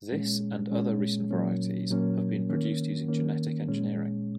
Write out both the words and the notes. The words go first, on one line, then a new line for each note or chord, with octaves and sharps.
This and other recent varieties have been produced using genetic engineering.
A#2 G#3 C#4
A#2 G#3 C#4
A#2 F#3 A#3 C#4
A#2 F#3 A#3 C#4
D#3 A#3 C#4
D#3 A#3 C#4
A#2 G#3 C#4